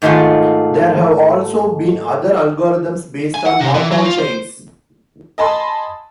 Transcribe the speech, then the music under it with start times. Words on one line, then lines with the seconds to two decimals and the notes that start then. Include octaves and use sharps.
There have also been other algorithms based on Markov chains.
0.02 G#2 D#3 A3 F4 G#4
3.34 G#5
3.46 F#5
3.60 C3
3.74 E3
3.91 F#3
4.05 F4
4.19 C5
5.38 D#5 G#5 A5 B5 C6